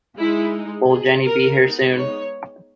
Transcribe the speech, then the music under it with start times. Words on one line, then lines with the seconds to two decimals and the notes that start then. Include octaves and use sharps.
Will Jenny be here soon?
0.18 G#3 D#4 E4
0.90 G#4
1.25 A#4
1.61 G#3 B3 D#4
1.97 C#5